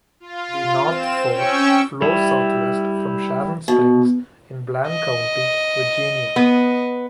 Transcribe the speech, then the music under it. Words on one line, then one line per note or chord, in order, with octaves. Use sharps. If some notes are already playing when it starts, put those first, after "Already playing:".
The North Fork flows southwest from Sharon Springs in Bland County, Virginia.
F4
C4 E7
C#4 G5 C#6 E6
G3 E4
B2
D#5
B3